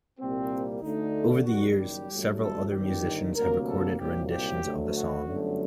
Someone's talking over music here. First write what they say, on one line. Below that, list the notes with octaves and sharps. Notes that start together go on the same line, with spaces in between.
Over the years, several other musicians have recorded renditions of the song.
C2 A#2 G3 A#3 C4
D2 D3 A3 D#4
F#1 F#2 D#3 G3 F#4
G4
G1 G2 F#3 A3
A4
G1 G2 D#3 G4
D2 C3 F#3 A#3 A#4
A4
C2 A#2 F#3 A#3 G4
G4
D2 D3 F#3 A3
F#4
G1 F#2 D3 F#3 A3